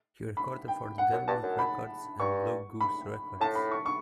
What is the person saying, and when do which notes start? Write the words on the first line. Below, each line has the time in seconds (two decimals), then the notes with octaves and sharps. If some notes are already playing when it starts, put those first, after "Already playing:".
He recorded for Delmark Records and Blue Goose Records.
0.37 B5
0.68 G5
0.98 F#5
1.12 F#2
1.28 G2 A5
1.43 F#2
1.59 B5
2.19 G2 C#6
2.80 B5
3.40 A2 A5
3.55 B5
3.71 C#6
3.86 C#6